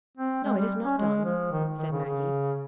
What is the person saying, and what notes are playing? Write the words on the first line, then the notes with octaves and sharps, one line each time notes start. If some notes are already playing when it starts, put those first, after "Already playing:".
"No, it is not done," said Maggie.
C4
G#3
G3
C#4
G#3
F3
D#3
D#3
C#3
C#3